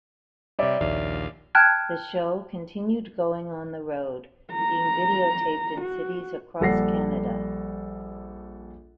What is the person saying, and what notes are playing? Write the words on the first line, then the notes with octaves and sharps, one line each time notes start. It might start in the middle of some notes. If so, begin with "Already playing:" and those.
The show continued going on the road, being videotaped in cities across Canada.
C3 G3 C#5 D5 E5
A#1 D#2 F5
G5 A5 F6 F#6 G#6
A#5
F#4
A#1 G3 A4 F#5 A#6 C7